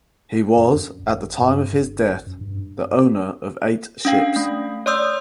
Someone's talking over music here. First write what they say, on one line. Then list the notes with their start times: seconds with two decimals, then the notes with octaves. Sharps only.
He was at the time of his death the owner of eight ships.
0.57 F#2
0.76 F#2
1.03 G#1
1.41 G2
1.81 G1
2.27 F#2
2.41 G2
4.05 C#4 D4 F5 G5
4.36 A3
4.86 C#5 D5 C6 D#6 E6 G6